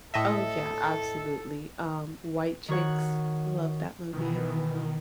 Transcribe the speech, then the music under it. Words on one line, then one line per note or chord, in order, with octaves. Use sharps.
Oh yeah, absolutely. Um, White Chicks, love that movie,
A2 A4 D#5 E5
D#3 F#4 C#5 F#5
B2 D#3 E3 B3